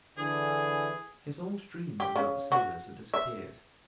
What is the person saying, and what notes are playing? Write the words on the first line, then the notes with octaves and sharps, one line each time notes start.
His old dreams about the sailors had disappeared.
D3 E3 G#4
G4
C#3
F#4
E5